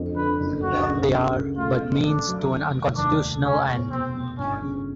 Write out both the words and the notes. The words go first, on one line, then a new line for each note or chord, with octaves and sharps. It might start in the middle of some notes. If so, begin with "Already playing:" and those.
They are but means to an unconstitutional end.
Already playing: F2 D3 F3
D3 B4
F#1
D2 F#4
C#3
C#3
C#3
A3 F4
B2
A3 D4
F#3
D#3
F1
D#2 D4
F1
G#3 C#4
B3
B2 C4
B2
G1 C#4
C#3